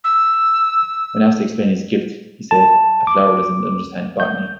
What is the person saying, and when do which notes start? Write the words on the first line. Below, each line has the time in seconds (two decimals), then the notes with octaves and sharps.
When asked to explain his gift he said, A flower doesn't understand botany.
0.04 E6
2.51 A5
3.07 D6
4.20 G6